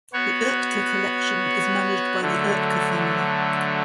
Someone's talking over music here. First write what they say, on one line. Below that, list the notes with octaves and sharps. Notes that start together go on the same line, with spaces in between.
The Oetker Collection is managed by the Oetker family.
B3 F#4 C#5
D3 F#3 A3